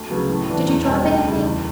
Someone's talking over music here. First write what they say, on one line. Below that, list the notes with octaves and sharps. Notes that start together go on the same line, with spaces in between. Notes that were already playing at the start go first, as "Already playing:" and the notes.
Did you drop anything?
Already playing: D2
C#3 F#3 B3
A2
E3 B3 D4
E2
B2 G3 D4
D2 G5
C#3 G3
E2